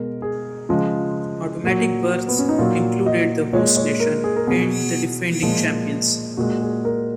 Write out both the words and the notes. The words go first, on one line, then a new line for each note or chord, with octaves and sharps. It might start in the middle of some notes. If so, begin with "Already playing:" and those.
Automatic berths included the host nation and the defending champions.
Already playing: B2 G#3 A#4
G#4
C#3 F3 G#3 F4
A#2 F#3
B3
C#4
D#4
A#2 F#3 F4
D#5
A#2 G#3 C#5
C#5
A#4
G#4
A#4
B2 F#3 G#4
A#2 F3 G#3
A#2 G#3 F#4
G#4
A#4